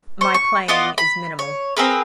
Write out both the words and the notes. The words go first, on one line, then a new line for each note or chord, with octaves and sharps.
My playing is minimal.
C5 C#6
C#6
B3 F4 D5 D#5
B5
C#5
C4 G#4 A#4 B4